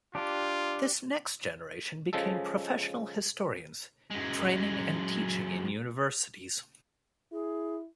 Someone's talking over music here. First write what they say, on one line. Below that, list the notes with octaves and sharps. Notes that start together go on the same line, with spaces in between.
This next generation became professional historians, training and teaching in universities.
D4 F4 G4
C#3 F3 G#3 A4
F#2 G#3
E4 G#4